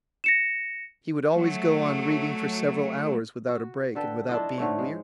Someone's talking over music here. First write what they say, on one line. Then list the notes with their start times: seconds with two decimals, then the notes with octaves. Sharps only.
He would always go on reading for several hours without a break and without being weary.
0.24 A#6 C#7 E7
1.33 F#3 A3
3.49 F#4
3.95 D3 A4 B4 G5
4.29 D4 E4 F4 D#5
4.58 G#2 D3 A3 C#5
4.79 G#3